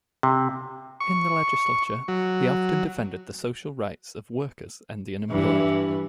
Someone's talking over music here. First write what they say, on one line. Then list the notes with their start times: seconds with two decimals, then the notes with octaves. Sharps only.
In the legislature, he often defended the social rights of workers and the unemployed.
0.23 C3
1.00 C#6
2.08 F#3
5.30 G2 E3 E4